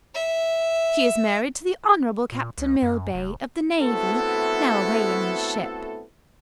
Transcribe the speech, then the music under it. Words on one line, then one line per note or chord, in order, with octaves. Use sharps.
She is married to the Honorable Captain Millbay, of the Navy, now away in his ship.
E5
A#2
C#2
F#2
F1
A3 B3 C4 E4 F#4 A4